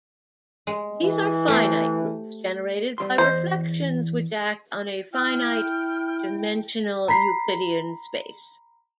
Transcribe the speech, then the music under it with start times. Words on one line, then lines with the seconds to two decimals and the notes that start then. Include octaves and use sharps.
These are finite groups generated by reflections which act on a finite-dimensional Euclidean space.
0.67 G#3
1.03 E3
1.48 A3 G4 C5
2.98 G3 C6
3.18 E2 C5 D#5
5.13 E4 G5 F6
7.08 A#5 B5 B6 C7